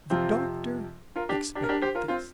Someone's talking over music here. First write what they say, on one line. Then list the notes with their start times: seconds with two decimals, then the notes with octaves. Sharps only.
The doctor expected this.
0.10 F2 C3 F3 C4 F4
1.16 F4 A#4
1.29 D4 G4
1.55 D4 G4
1.63 A#4
1.69 D4 G4
1.82 G4 C5
1.95 F4 A#4
2.08 C4 F4